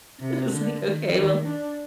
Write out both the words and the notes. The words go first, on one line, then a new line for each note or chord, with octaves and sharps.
I was like, “Okay, well.”
C3
D3
D#3
D#3
D4